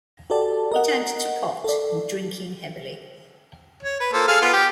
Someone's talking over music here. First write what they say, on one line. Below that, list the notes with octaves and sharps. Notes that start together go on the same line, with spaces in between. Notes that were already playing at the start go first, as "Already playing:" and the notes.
He turned to pot and drinking heavily.
F#4 G4 A4 D5 A5
A#4 D#5 F#5
A4 D5
C#5
B4
A#3 A4 C5
G#4 A4 F5
B3 F4
G4